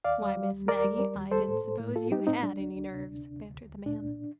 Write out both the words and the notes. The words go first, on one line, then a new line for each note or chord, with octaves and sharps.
"Why, Miss Maggie, I didn't suppose you HAD any nerves," bantered the man.
D#2 D5 F5
G3
G3
D#2
D#2 A#4 D5
G3
G3
D#2
G3 A4 C5
A2
A2
A2
A2 F4 A4
G3 D#4 G4
A2 C4 D#4
G3 D4
D2
D2
C3
D2
C3
D2
D2
D2
A#2 D4
C2